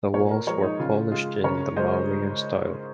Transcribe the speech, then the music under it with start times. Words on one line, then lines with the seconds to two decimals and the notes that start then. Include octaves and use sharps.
The walls were polished in the Mauryan style.
0.14 A#2 A#4 C#5
0.30 A#4 C#5
0.46 F3 A#4 C#5
0.50 G#3
0.63 D#4
0.79 C#3 F4
1.11 G#3 F4
1.44 C#3 A#4 C#5
1.76 G#3 C5 D#5